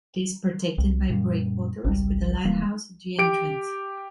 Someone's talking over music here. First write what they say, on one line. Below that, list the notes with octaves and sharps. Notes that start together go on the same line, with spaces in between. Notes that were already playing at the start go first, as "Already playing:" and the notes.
It is protected by breakwaters, with a lighthouse at the entrance.
C2
F#2 A#2 G3
G#1 C#2 G3
D#1 E3 A#3
G4 D7